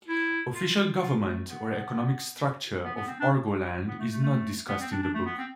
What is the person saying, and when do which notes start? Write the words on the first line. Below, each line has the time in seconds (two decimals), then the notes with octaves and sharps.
Official government or economic structure of Argoland is not discussed in the book.
0.08 E4
0.54 F4
1.01 F4
1.24 A3
1.47 B3
2.85 B3
2.95 B3
3.07 C4
3.20 D4
3.88 B3
3.99 A3
4.11 A3
4.23 A3
4.68 B3
4.81 C4
4.91 D4
5.02 D4
5.14 A3
5.25 B3
5.37 C4